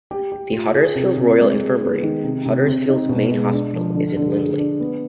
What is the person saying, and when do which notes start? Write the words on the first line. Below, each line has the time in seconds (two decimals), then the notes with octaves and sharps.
The Huddersfield Royal Infirmary, Huddersfield's main hospital, is in Lindley.
0.11 G4
0.32 G4
0.53 F4
0.75 G#4
0.95 C3
1.17 C3
1.38 G#3
1.60 G#3
1.82 B3
2.03 D#3
2.24 C3
2.45 C3
2.66 C4
2.88 D#4
3.09 B2
3.31 G#3
3.51 D4
3.73 F3
3.94 D3
4.17 D3
4.37 G#4
4.58 D4
4.80 B3